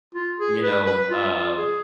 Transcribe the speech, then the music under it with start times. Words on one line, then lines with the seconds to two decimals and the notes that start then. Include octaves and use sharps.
you know, uh
0.15 F4
0.40 G#4
0.63 B4
0.87 B4
1.10 F4
1.34 F4
1.58 G#4